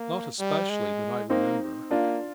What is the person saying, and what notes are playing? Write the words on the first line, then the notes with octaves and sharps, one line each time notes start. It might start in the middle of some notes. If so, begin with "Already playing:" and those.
"Not especially, that I remember."
Already playing: A#3
G3
G#3
A#3 C4 D#4
A#3 D4 F4